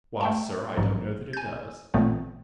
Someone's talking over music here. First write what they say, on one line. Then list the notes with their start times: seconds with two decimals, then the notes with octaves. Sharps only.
'Why, Sir, I don't know that it does.
0.21 A3 G5 A5
0.77 A1 G#2 F3 F#3
1.33 G#5 G6
1.94 A1 A#2 D3 A3 B3 C4